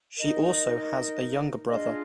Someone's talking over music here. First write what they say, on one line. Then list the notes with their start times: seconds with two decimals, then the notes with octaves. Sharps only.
She also has a younger brother.
0.17 D#4 A#4 D#5
1.68 D4 F4 G#4 D#5